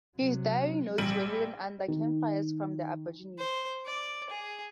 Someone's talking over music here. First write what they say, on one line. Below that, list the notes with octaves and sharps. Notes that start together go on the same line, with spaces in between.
His diary's notes were hidden under camp fires from the Aborigines.
C3 F#3
A#1 G3 D7 D#7 F#7
D#3
C5
D5
G#4